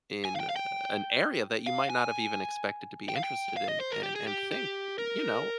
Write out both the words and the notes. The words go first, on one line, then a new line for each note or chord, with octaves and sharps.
in an area that you might not have even expected to be interested in and and think, you know,
G#5
F5
G5
F5
G5
F5
G#5
G5
F5
G5
F5
D#5
C5
A#4
G4
G#4
G4
G4
A#4